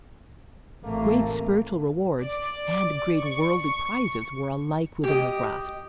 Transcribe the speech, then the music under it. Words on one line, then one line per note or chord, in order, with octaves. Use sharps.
Great spiritual rewards and great worldly prizes were alike within her grasp.
A1 C3 A3 A#3
D5
C#6
G4 D#5